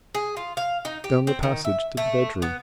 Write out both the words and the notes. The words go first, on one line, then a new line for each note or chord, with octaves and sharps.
Down the passage to the bedroom.
G#4
F4
F5
D#4
G4
C4
D#3
E5
A3
B3